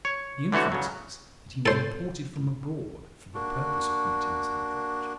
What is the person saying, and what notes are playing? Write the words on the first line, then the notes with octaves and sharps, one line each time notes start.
The inference is that he was imported from abroad for the purpose of committing this outrage.
C#5
D3 E3 A3 F#4 C#5
C#3 F#3
A4 C5
A#3 D4 F#4